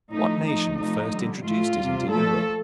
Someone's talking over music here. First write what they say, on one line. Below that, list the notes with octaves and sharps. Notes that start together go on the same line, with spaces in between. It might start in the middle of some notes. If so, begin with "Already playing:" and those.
What nation first introduced it into Europe?
A2 F3 A3 D#4
A2 F3 A3 D#4
C3 F3 A3 D#4
D3 G3
A2 A3 F4
C3 G3
A#2 F3 A3 A4